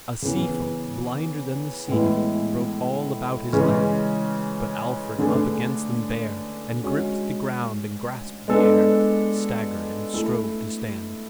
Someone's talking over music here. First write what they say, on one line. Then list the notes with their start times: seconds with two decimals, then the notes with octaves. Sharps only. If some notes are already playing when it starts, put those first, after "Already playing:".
A sea-folk blinder than the sea Broke all about his land, But Alfred up against them bare And gripped the ground and grasped the air, Staggered, and strove to stand.
0.22 C#3 E3 B3
1.88 A2 E3 G#3 B3 E4
3.52 C#3 E3 G#3 C#4
5.19 D3 A3 D4 G#4 B4
6.83 G#3 C#4 F#4
8.48 G#3 B3 D4 A4
10.14 A3 E4 A4